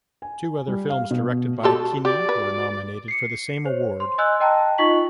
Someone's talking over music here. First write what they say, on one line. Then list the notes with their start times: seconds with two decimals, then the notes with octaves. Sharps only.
Two other films directed by Kinney were nominated for the same award.
0.22 G#5
0.68 G3
0.90 F5
1.11 B2
1.63 G#3 F#4 G4 A4
2.05 F#4 G4 D5
2.29 B4
3.08 C7 C#7
3.66 C5 C#5
4.00 C6
4.18 D#5 G#5 C6 E6 F#6 G6
4.40 D#5 G5 A5 A#5
4.78 D#4 F4 D#5 C#6 B6 F#7